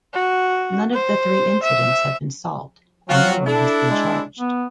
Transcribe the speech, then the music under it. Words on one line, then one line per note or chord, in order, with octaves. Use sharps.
None of the three incidents have been solved and no one has been charged.
F#4
C5
E5
F#3 C4 F4 F#4
D4 E4 A4
G#3
B3